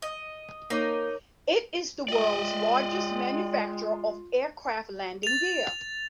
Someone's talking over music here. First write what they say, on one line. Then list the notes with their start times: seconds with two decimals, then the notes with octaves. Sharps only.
It is the world's largest manufacturer of aircraft landing gear.
0.02 D#5
0.70 A#3 D#4 A#4 C#5 D6
2.08 G#3 F4 D5 D#5 G5
5.23 A6 F7